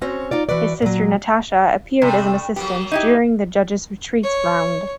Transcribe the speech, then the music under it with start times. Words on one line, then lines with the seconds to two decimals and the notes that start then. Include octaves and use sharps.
His sister Natasha appeared as an assistant during the Judges Retreats round.
0.01 C4 C#4 F#4 C5 C#5
0.31 D#4 F4 D5
0.49 E3 F#4 B4 D5
0.82 A#2 F#3
2.02 C3 G3 A3 D4
2.56 F#3 A#3 B3 G4
2.92 D#4 E4 G4
4.23 C#5